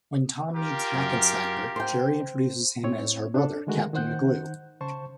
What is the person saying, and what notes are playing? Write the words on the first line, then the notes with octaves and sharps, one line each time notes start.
When Tom meets Hackensacker, Gerry introduces him as her brother, Captain McGlue.
F4 G4 A#4
F#2
C5 G5
A2 C4 E4 C#5
D4 A4
D3 D#3 G#3 A3 F#4 A#4
D#3 D#4 C5 F#5 F#6 G6
C#3 C5 A5 C#6